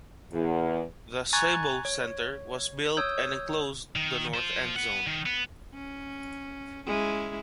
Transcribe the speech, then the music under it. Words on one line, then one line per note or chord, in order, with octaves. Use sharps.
The Sebo Center was built and enclosed the north endzone.
E2
G#5 A#5 C#6 F#6 G#6 A6
C#5
C#5 D#6 E6 G6
D#3
F4 C5
B4 F#5
D#3
B3
C#4
G#3 C#4 E4